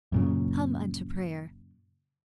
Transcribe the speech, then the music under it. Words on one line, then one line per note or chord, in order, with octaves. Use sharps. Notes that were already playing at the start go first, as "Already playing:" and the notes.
Come unto prayer!
F#2 A#2 C#3